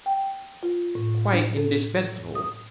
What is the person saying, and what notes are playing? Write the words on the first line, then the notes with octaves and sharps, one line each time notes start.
"Quite indispensable."
G5
F4
A2
D4
A4
D#6